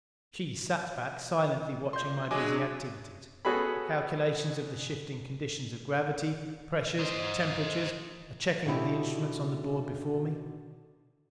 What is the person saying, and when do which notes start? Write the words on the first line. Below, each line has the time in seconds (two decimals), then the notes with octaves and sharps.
She sat back, silently watching my busy activities: the calculations of the shifting conditions of gravity, pressures, temperatures; a checking of the instruments on the board before me.
1.93 A#2 C6 G6
2.31 F#3 G#3 D4 G#4 G#5 D6
3.45 B3 C#4 F#4 G#4 A4 B5
6.99 C5 D#5
8.66 B2 D3 D#4 E4 F#4 G4